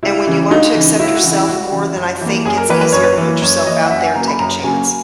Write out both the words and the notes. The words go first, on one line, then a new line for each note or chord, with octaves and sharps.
and when you learn to accept yourself more, then I think it's easier to put yourself out there and take a chance.
C#2 E4
C#3 E3
C#2 D#4
C#3 E3
C#2 E4
F#4
C#3 E3
E4
C#2 F#4
C#3 E3
F#2
E3 A#3
F#2 G#4
A#4
E3 A#3 B4
B4
F#2 C#5
B4
E3 A#3
F#2 C#5
C#5
E3 A#3 D#5
F#5
F#2 E5
F#5
G#5
C#3 F#3 A#3 A#5
B5
F#2 A#5
C#3 F#3 A#3 G#5